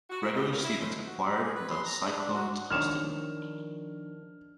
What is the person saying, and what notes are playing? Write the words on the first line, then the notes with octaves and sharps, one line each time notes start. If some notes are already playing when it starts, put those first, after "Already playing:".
Gregory Stevens acquired the Cyclone costume.
F#4
A#2 E4
F2 B3 D#4 F4 G4
F#2 A#2 A#3 C#4 A#4
E4
F3 A3 C4 C#4 D#4
F#4
G4
G#4
B4
C6
A#5
D4
D4
F#4
D#3 F3 D4 A#4 C#5 F6 E7